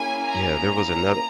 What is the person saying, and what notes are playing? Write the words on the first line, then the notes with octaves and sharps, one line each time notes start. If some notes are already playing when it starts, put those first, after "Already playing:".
yeah, there was another
Already playing: A#3 C#4 E4 G#4 G#5
A#5